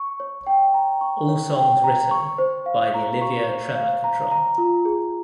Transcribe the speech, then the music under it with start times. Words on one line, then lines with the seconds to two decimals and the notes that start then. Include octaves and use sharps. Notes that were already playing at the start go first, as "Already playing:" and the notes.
All songs written by The Olivia Tremor Control.
Already playing: C#6
0.20 C#5
0.47 G5
0.74 A#5
1.01 C#6
1.29 C#5
1.56 G5
1.84 A#5
2.11 C#6
2.38 C5
2.66 F5
2.94 A#5
3.22 C#6
3.49 C5
3.76 F5
4.04 A#5
4.31 A#5
4.58 F4
4.85 G#4